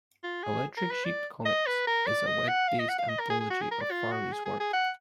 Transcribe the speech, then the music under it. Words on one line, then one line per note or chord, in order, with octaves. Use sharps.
Electric Sheep Comix is a Web-based anthology of Farley's work.
F4
G#4
A#4
B4
D5
D#5
B4
A#4
D5
D#5
F#5
F5
D#5
F#5
F5
D#5
A#4
G#4
G#4
F#4
G#4
A#4
D5
F4
F#4
G#4
G#4
G#4
F#5